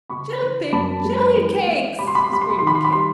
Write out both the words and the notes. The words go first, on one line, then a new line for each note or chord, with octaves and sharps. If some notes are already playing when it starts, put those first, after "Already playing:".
"Jumping jellycakes!" screamed the King.
C#3 B5 C#6
E3
F#2 A5 B5
G#3
E3
G#3
C3 B5
C6
B5
C6
C3 B5
C6
B5
D#3 C6
B5
C6
B5
G3 C6